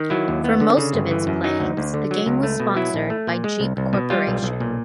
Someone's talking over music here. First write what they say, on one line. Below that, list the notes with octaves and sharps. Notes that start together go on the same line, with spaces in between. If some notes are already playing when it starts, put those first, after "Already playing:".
For most of its playings, the game was sponsored by Jeep Corporation.
Already playing: D#3
F#3 E4
D#2
B3
D3
C#3
G1
E3
F#2
F#3 D#4
D2
D2
D3
F#3
C#2
A3
B2
F#3 E4
A#1
A3
A#2
G#3
C2
C2
B2
G3 F4
B1
B1
A#2